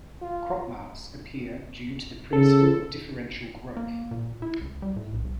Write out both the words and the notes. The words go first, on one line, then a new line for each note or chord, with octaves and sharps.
Crop marks appear due to the principle of differential growth.
F4
C#3 A4
A#3
A#2
E4
C#2
G3
A2
B1
C2